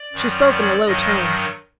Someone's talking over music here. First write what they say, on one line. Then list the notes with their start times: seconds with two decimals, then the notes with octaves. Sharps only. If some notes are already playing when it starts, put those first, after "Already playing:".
She spoke in a low tone.
Already playing: D5
0.13 F#2 D#3 F#3
0.50 D5
0.86 G2 D#3 F#3 D#5